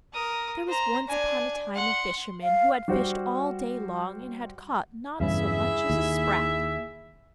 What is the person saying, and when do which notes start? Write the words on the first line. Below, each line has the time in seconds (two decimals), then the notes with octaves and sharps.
There was once upon a time a fisherman who had fished all day long and had caught not so much as a sprat.
0.13 A#4 D#6
0.68 C5 A#5
1.08 D4 G#5
1.75 F#5 C6
2.42 F5
2.88 G3 F#4 C5 F#5
5.20 E2 G2 C#3 E4 G#4 E5
5.90 D#2